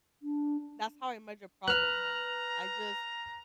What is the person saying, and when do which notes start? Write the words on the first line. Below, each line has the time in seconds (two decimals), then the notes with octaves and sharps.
that's how I measure progress now. I just
0.22 D4
1.68 B4 A#5 F6 F#6